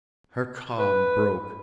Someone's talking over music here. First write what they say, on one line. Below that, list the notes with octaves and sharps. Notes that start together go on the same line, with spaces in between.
Her calm broke.
B4